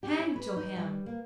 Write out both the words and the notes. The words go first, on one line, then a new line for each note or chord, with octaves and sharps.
Hang to him!
G4
C#4
B4
D#4
G3
A#3